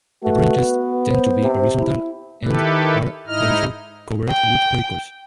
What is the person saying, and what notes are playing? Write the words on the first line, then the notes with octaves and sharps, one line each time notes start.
The branches tend to be horizontal and are also covered with prickles.
A3 F#4 B4
B3
C5
C3
E4
D#3 E4 G4 A4 B4
G#2 D#4 E4 D#5 F6
G5